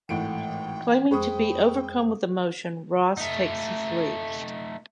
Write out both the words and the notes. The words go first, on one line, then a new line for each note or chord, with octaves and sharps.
Claiming to be overcome with emotion, Ross takes his leave.
G#1 A2 E3 F#5 G5 D7
F2 G#3 C5 G5 B5 C#6 D#6
A3 D#4